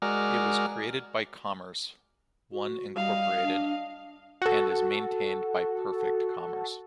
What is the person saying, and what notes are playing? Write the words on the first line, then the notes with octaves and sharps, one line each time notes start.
It was created by Commerce One Incorporated and is maintained by Perfect Commerce.
G#3 F#4 A#4 D5 F6
F#4
G3 D#5 F5
D4
F#4 A4